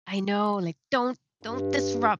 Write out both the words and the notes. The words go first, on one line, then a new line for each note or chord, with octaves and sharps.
I know, like, don't don't disrupt
G2